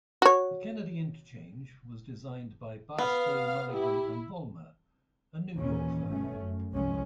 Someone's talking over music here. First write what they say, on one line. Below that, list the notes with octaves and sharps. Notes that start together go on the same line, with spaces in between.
The Kennedy Interchange was designed by Barstow, Mulligan and Vollmer, a New York firm.
F#4 C#5
B3 F5
E4 G4
D#2 A#2 D#3 E3 C#4
G1 B2 A3 C#4
F#2
G1 C2 F3 G#3 C#4